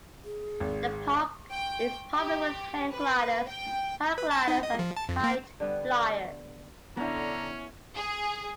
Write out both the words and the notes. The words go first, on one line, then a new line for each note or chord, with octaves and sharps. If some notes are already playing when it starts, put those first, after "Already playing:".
The park is popular with hang-gliders, paragliders, and kite flyers.
G#4
G#1
G5
G4
B4
G5
B4
A5
D#4
D#5
F3
A5
F2
A#3
D3 G3 B3
D3 B3 C#4 E4 A#5
G#4